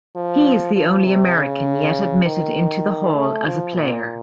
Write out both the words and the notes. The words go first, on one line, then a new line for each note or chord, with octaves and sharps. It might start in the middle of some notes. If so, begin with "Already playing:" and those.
He is the only American yet admitted into the Hall as a player.
F3
F3
C3
C#3
D#3
A3
F3
A#2